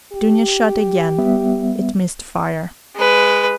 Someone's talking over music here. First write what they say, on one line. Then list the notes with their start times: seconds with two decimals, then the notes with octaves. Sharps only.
Dounia shot again: it missed fire.
0.13 G4
1.18 G3 B3 E5
2.96 G#3 B4